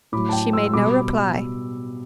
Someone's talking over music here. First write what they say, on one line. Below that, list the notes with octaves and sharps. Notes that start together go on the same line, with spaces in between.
She made no reply.
A2 F#3 B5 D6
A5
G5 B5
C6 E6
E6
B2 G3 B5 D6